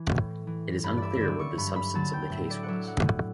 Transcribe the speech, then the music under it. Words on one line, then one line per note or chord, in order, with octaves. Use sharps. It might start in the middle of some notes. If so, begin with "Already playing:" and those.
It is unclear what the substance of the case was.
Already playing: E3
A2
E3
G2 B5
D5 E5
E5
D3 F#3 D5
C#6
G2 B5
B5
D3 F#3 A5
G5
A2 E5
D5
F#5
F#3 E5
F#5
A2